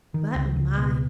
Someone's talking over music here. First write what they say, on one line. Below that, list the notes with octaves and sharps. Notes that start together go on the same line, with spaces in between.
But, my!
D#3
C#2
C#2
B2